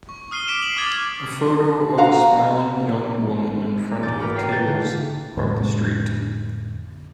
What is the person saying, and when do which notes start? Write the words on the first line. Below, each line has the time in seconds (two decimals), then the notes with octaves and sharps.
A photo of a smiling young woman in front of tables on the street.
0.09 C#6
0.31 D#6 F6 C7 D#7 G7
0.47 D6 B6 D7 E7
0.62 F#7
0.77 D6 D#6 F6 G#6 A6 C7
1.97 F#4 F5 A#5
4.03 E1 G#2 D6 G6 A6
4.20 F#4 A#4 B4 A#5 D6
4.36 C#5 G5 D6 A#6 C7
4.52 G6 A6 B6
4.67 D3 A#3
5.37 F2 A2 D3 G#3